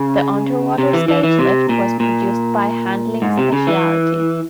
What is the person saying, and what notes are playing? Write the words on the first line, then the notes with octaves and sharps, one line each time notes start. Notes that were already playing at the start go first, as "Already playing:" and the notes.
The underwater stage lift was produced by Handling Specialty.
Already playing: C#3
C3
E3
E3
E3
C3
A#2
A#2
G#2
C3
C#3
E3